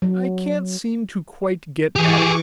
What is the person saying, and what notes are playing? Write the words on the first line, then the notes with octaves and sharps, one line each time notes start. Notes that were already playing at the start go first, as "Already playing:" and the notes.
I can't seem to quite get at it.
F#3
E3 G4 G#4 C#6 D6